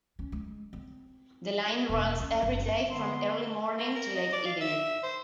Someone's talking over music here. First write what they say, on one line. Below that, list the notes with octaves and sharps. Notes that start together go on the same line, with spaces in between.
The line runs every day from early morning to late evening.
C#4
G#3
C4
E1
C#4
F#1
D3 G#3 B3 C5 C6
A#3
A#4
D#5
D5
F5
E5
C5